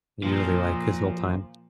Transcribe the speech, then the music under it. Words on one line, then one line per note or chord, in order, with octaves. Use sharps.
usually, like, his whole time.
A#2 F3